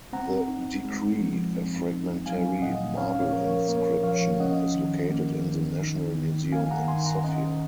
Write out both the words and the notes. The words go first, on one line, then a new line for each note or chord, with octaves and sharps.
The decree, a fragmentary marble inscription, is located in the National Museum in Sofia.
C4 F#5 A#5
D#4
G#3
F3
C4
D#4
F#3 F5 G#5
A#2 D#5 F#5
C#4 C#5 F5
C#5 F5
F3 A#4 C#5
A#3 A#4 C#5
F3 C#5 F5
C#4 D#5 F#5
D#3
A#3
D#3
D#4
D#3
A#3 F5 G#5
F#5 A#5
D#3 G#5 C6
F#5 A#5
C#4 D#5 F#5